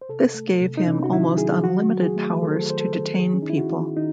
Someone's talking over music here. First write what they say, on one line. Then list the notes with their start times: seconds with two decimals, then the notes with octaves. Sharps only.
This gave him almost unlimited powers to detain people.
0.01 C5
0.09 C3 A4
0.34 A3
0.61 C3
0.77 D#4
0.87 C3 C#4
1.04 F#4
1.12 D#3 E4
1.38 F#3 G#4
1.64 F#3 F#4
1.89 F#3
2.02 G#4
2.16 A3
2.42 D#3 A4
2.51 C5
2.60 A4
2.68 D#3 C5
2.80 A4
2.93 D#3
3.19 D#3 G#4
3.34 C#4
3.42 D#3 D#4
3.50 E4
3.57 F#4
3.70 D#3
3.97 D#3 D#4